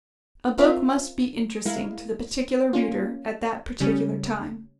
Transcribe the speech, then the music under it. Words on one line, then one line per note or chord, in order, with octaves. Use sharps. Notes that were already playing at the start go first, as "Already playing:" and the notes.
A book must be interesting to the particular reader at that particular time.
C4 F4 A#4 E5
G#3 E4 A#4 F5
A#3 C#4 F4
C#3 G3 C#4